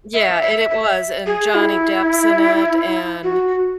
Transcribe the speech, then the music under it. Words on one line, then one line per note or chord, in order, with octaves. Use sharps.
Yeah, and it was, and Johnny Depp's in it, and
E5
E5
E5
G#4
E4
F#4